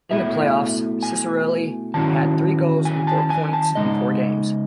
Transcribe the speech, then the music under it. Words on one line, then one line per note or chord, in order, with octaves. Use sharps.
In the playoffs, Ciccarelli had three goals and four points in four games.
B2 A3 E4 E5
G#5
D#3 F#3 C#4 E4 A5
G#5
A5
G#5
A5
C#3 G#3 D#4 D#5